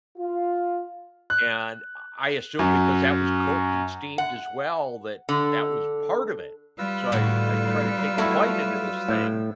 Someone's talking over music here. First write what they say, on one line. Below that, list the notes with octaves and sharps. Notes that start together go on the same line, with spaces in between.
and I I assumed because that was cooked and steamed as well that that was part of it, so I I try to take a bite into this thing,
F4
F#6
F#2
F#5
D3
G3 F4 B4 E6
A2 D3 F#4
F#3 A3 E4 F#4
A2